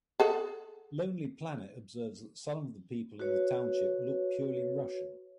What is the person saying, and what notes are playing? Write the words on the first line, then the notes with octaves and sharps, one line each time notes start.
Lonely Planet observes that some of the people in the township "look purely Russian".
G#4 A4 F#5
F#4 B4 C#5